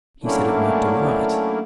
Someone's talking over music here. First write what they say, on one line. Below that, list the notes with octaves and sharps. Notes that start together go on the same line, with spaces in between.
He said it worked all right.
F#3 A3 A#3 C#4 D4 E4